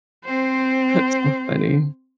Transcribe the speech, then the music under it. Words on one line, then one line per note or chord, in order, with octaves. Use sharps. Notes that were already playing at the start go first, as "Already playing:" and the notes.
That's so funny.
C4 C5